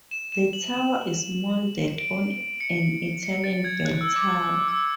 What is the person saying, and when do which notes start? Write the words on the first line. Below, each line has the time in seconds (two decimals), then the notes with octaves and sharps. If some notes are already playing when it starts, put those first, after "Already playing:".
The tower is modeled on an Italian bell tower.
0.11 E7
0.32 E7
0.53 F#7
0.74 E7
1.98 D7
2.60 C#7
3.23 C#7
3.44 A6
3.64 G#6
3.85 F#6
4.01 E6
4.16 D6
4.68 E6